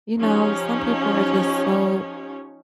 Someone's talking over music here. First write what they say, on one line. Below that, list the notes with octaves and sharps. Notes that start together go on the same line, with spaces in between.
You know, some people are just so
F3 C#4 D#4 G4 C#5